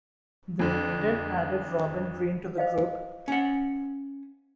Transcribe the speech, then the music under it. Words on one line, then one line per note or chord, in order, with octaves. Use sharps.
They later added Robin Green to the group.
F2 D3
C5 D#5 F5
C#4 F#5